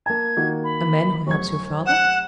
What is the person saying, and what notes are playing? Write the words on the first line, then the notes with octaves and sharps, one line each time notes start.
"A man who helps your father?"
A#3 A5 G#6
D#3 A#3 F#4
B5
F1 F#3 C#6 G#6
F#5 E7